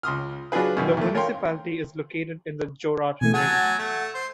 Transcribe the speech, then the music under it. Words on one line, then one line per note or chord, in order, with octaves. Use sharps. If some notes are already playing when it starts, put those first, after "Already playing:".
The municipality is located in the Jorat range.
C#2 C6 D#6 F6
F#3 D4 F4 G#4 B4
F#2 B2 D#3 F#3
E2 A3
A#4 C#5 F5 G5 C6
B2 E3 A3 G#5
F#3 F#5 G#5 A5
A3
C5